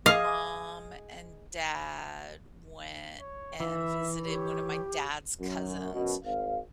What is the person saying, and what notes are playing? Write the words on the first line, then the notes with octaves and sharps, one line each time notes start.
mom and dad went and visited one of my dad's cousins,
G#4 D#5 F5
C#5
E3 E5
G4 C#5
F#2
F#2 B2
G#1 F5